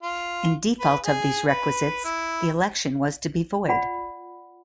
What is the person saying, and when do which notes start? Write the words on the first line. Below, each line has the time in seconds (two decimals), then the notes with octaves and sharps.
In default of these requisites the election was to be void.
0.03 F4
0.80 B4
1.03 G#4
1.48 B4
2.05 E4
3.68 F4 D5 F#5 B5